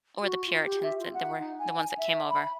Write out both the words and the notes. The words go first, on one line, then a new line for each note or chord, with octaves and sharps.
Or the Puritans that that were the ones that came over.
F#4
F4
G4
E5
F4
F#5
D#4
G#5
E5
B5
B5